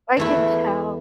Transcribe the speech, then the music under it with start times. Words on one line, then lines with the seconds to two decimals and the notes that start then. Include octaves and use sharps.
I can tell.
0.17 E2 E3 A3 E4